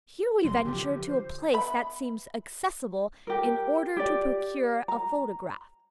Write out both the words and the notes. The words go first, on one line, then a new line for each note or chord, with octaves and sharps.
Here we venture to a place that seems accessible in order to procure a photograph.
F1 C3 F#3 C6
D3 F3 G4
C5
B3 E5 B5
G4 A#4
G4 D5
A#5